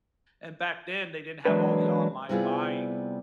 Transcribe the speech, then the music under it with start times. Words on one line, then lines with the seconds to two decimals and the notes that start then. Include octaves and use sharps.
and back then they didn't have all the online buying.
1.45 E3 F#3 G#3 A#3 D4 B4
2.29 C3 G3 B3 E4 F4 G#4